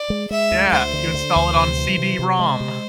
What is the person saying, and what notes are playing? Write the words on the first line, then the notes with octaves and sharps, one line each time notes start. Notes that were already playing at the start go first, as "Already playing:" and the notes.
Yeah, you install it on CD-ROM.
Already playing: D5
G#3
G#3 E5
D2
D2 C5
D3
D3
D2
C3
E3
C3
C3
G#3 C5
C3